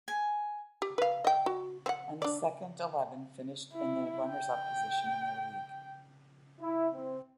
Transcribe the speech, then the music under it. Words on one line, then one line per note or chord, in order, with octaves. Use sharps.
And the Second Eleven finished in the runners up position in their league.
G#5
G4
B4 F5
D#5 G5
F#4
C4 F#5
D4 D5
E4
G5
E4
C4